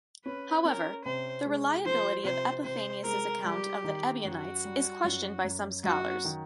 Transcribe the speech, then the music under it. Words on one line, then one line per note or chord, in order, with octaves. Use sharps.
However, the reliability of Epiphanius' account of the Ebionites is questioned by some scholars.
C#4 B4
C#4 A#4
C3 C5
G#3
F3 C5
C3 C5
C3 C5
G#3 A#4
G3 G4
D#3
F#2 F#4
G3
F#2
F#2
F#2 F#4
D#3